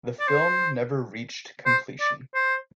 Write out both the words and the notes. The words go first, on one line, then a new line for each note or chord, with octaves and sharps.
The film never reached completion.
D5
C5
C5
D5
C5